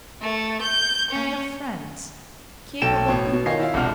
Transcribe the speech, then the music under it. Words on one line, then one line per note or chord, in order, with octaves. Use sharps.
I have friends... capable people....
A3
G6
C#4
B1 A4 G5 A5 D7 E7
A1 B2 C#5
B2
D#3 F4 C#5 D#5 G#5 C7
E4 F4 F5
E1 C3 D4 F4 F#5 F6